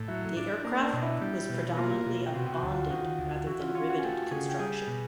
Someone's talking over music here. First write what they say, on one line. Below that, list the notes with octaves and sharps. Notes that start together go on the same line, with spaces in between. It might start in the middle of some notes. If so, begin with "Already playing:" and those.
The aircraft was predominantly of bonded, rather than riveted, construction.
Already playing: A2
F#3 E4 E5
D4
A#3 D4 D5
D4 D5
B2 D#5
E4 E5
G3
B2
A#3 F4 F5
B2
G5
C3 F#4 F#5
G5
F#4 F#5
D2
F4 F5
D#3 F#4 F#5
D2
E3 F#4 F#5
F4 F5
C#4 F4 F5
F#4 F#5
G#5
A3 G4 G5
C#3 G#4 G#5
G5
G3 G#4 G#5
B2